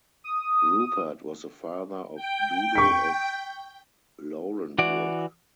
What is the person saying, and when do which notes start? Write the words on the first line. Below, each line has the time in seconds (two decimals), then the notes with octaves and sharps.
Rupert was the father of Dudo of Laurenburg.
0.24 D#6
2.15 G5
2.75 C#6 B6
4.79 E3 F#4 D5